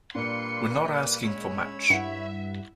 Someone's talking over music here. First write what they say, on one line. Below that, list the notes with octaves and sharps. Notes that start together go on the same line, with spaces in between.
We're not asking for much.
A#2 G3 A#3 D4 B4 C6 C#7
G#3 C#4 C#5 B5 E6
G2 E4 E5 F#5